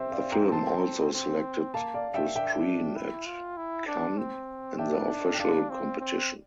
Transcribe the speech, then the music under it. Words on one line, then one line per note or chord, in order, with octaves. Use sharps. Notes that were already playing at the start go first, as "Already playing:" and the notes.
The film also selected to screen at Cannes in the official competition.
Already playing: C4 G4 C5 E5
D5 F5
G5 A#5
A5 C6
C4
A#3 F5 A5
D5 F5
E5 G5
D4 E5 G5
E4
F4
E4
D4
C4
D4 E5 G5
G5
D4 D5 F5
C4
C4